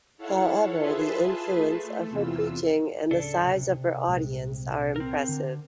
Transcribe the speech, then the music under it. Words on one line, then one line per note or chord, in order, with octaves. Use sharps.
However, the influence of her preaching and the size of her audience are impressive.
E4 A4 C#5 F5 F#5
F4 G#4 B4 E5 A5 C6
A3
E2 C3 E3 F4 E6
D1 C#3 D4 A4
C3
C2 A#2 G#3
C4 A#4
D3